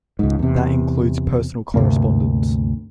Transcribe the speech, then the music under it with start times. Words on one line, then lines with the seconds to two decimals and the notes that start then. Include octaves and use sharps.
That includes personal correspondence.
0.19 C#2 G#2
0.39 E2 C3
1.74 D2 G2 C3 A#3